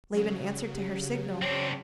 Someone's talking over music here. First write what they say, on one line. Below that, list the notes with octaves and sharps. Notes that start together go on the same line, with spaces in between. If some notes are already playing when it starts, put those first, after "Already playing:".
Laban answered to her signal.
C#3 F#3
G4
C4 D4 C#5